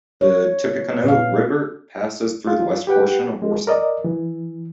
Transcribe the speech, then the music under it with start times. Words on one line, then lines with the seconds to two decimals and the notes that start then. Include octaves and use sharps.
The Tippecanoe River passes through the West portion of Warsaw.
0.21 C#5
1.04 A#2 B3 F5
2.47 F4
2.87 G4 B4 F#5 G5
3.42 G#3
3.67 A#4 D5 D#5
4.04 E3